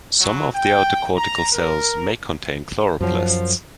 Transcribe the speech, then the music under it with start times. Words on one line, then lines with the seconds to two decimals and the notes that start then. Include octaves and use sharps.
Some of the outer cortical cells may contain chloroplasts.
0.20 F#3
0.54 G5
1.17 A#5
1.53 A#4
3.01 F#2 F3 F#3